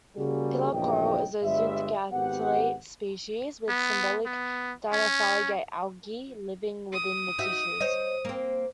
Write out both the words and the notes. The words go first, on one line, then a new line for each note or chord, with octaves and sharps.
Pillar coral is a zooxanthellate species, with symbiotic dinoflagellate algae living within the tissues.
C#3 G3 A#3 F#4 G#4
A#1 E2 G2 C#3 D#5 G5
G1 G2 G3 G#3 E5
G#1 B3 G4 F#5
B3
B3
C#4
D#6
D#4 F#4 E5
C5 C#5 D#5
A#3 C4